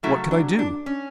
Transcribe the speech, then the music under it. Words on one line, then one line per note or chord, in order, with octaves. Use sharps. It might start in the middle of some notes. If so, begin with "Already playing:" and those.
What could I do?
C#3 F#3 A3 E4
D4
D4
C#4